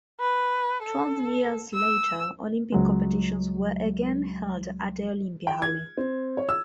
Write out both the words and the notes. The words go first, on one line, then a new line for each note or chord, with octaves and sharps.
Twelve years later, Olympic competitions were again held at the Olympiahalle.
B4
A4
E6
C#2 F#3 G#3
G5
G#6
C4
C#5
E6